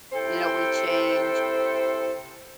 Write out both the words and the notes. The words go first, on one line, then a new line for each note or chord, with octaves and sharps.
You know we changed
C3 E4 A4 C5 E5 G5